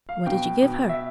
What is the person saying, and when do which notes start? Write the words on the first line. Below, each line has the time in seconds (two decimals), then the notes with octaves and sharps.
'What did you give her?'
0.09 F5
0.26 B2 G5
0.63 B2
0.89 E5